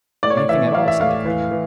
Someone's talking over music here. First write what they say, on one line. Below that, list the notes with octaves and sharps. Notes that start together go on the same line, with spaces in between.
"Anything at all," said the queen.
A2 D5
C#5
D5
E3 E5
E3 F5
E5
A2 F5
E3
E3